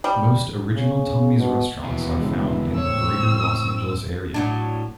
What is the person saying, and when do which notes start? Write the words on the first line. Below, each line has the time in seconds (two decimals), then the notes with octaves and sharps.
Most Original Tommy's restaurants are found in the Greater Los Angeles Area.
0.04 G3
0.75 C#3
1.39 B2
1.84 D#2 B2 E3
2.21 C#3 G#3
2.77 A2 C4 C#5 E6
4.34 A2 F#3 D4